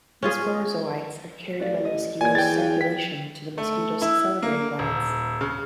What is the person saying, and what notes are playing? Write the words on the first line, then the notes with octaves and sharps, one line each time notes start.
The sporozoites are carried by the mosquito's circulation to the mosquito salivary glands.
C#4 F4 G#4
A1 F#4 D5 F5
D#5
A#2 G4 C#5 D5 G#5 G#6
E2 G5 A6
B4 F5 G#5
G5 B6
A3
E4
A#3
D#1
C#3